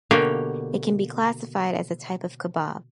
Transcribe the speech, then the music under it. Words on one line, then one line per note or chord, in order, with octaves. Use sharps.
It can be classified as a type of kebab.
B2 D3 A#3 G4 C#5 F5